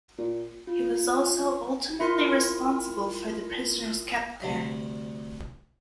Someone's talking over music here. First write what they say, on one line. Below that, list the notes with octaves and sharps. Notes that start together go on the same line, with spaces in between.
He was also ultimately responsible for the prisoners kept there.
A#2
F4
E4 F4 A#4 C6
D2 G2 C3